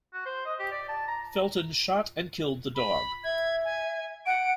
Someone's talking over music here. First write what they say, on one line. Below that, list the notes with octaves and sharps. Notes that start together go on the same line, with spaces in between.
Felton shot and killed the dog.
F#4
C5
D#5
G4
D5
A5
A#5
B5
E5 G#6
G#5
F#5 D7